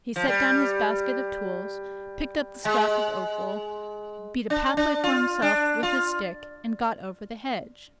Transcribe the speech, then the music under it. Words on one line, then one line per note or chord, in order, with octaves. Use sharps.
He set down his basket of tools, picked up the scrap of offal, beat a pathway for himself with his stick, and got over the hedge.
F3
G3
G#3
D4
D4
F4
D4
F4